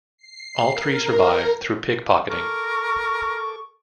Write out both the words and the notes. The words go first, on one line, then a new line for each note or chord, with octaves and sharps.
All three survive through pickpocketing.
C7
A#4
A4 A#4 C#6 D6